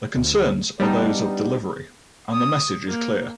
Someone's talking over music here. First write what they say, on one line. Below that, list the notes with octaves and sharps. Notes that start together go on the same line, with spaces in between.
The concerns are those of delivery, and the message is clear.
D2
G3 B3 D4 D#4
D#6
A#3